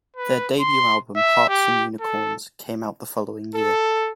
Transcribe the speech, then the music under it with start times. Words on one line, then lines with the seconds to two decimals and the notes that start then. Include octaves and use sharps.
Their debut album, "Hearts and Unicorns", came out the following year.
0.17 B4
0.60 C6
1.16 E5
1.49 G4
2.01 A4
3.53 A4